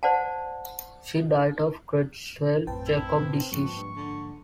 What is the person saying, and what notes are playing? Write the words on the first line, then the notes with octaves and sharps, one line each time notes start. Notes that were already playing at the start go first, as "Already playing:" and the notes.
She died of Creutzfeldt-Jakob disease.
C5 D5 F#5 A5
A#1 F#2 A2 C4 B4 G5 A5
E4
G#2 B2
F2 G#2 F3 A#3 C#6
G2
D3